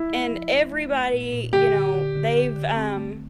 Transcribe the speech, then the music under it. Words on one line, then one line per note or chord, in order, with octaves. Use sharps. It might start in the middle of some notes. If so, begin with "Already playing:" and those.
and everybody, you know, they've, um,
Already playing: E4
A3
F3
A3
A3
A3
A#2
A#2
D3 G4
D3
D3
D3
D3
D3
C4
A3